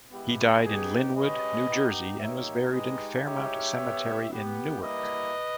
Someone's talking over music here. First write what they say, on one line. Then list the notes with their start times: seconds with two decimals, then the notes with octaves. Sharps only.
He died in Linwood, New Jersey, and was buried in Fairmount Cemetery, in Newark.
0.11 G#3 B3 E4 G4
0.63 B3 D#4 G4 G#4
1.15 G#3 C#4 G4 B4 D#5
1.67 B3 D#4 G4
2.19 A#3 D#4 G4 C#5 E5
2.72 G#3 D#4 G4 B4 D#5
3.24 G#3 D#4 G4 C#5 E5
3.77 B3 G4
4.29 B3 G4
4.80 G3 A#3 E4 B4 D#5